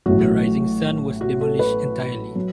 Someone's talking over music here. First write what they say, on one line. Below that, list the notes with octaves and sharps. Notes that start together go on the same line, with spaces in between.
The Rising Sun was demolished entirely.
A1 A2 F#3 F#4
F#4
A4
B4
F#3